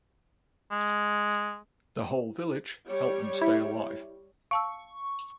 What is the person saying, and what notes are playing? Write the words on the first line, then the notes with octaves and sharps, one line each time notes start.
The whole village helped them stay alive.
G#3
G3 C#5
E4
F5 A5 C#6 E6